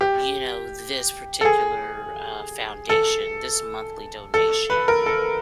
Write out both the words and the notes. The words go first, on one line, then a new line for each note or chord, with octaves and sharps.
you know, this particular, uh, foundation, this monthly donation,
G4
A4
G#4
A4
A4
B4
A#4
A4